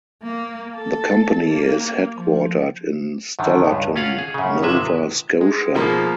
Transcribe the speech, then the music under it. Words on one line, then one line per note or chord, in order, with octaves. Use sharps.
The company is headquartered in Stellarton, Nova Scotia.
A#3
A4
A#3
F3
F#2 D3 D#3
C#2 G2
C#4 F4 F5 F#5
G#4
F#2 C#3
G1 C3 G#3 B4 E5
G#3
B2 F3 G#3 A#3